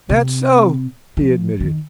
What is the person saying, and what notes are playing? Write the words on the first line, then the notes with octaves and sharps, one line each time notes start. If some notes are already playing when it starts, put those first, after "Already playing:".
"That's so," he admitted.
C3
F3
D#3